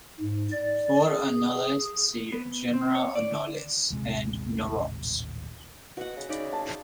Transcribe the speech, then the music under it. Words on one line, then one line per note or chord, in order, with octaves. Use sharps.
For anoles see genera "Anolis" and "Norops".
G#2
D5
G#4
G#4
B3
C4
C#5
D5
D3
D#1 A1 C3 G#3
B2 F#4 F#5
C#3
C#3 D#4 D5 B5
A5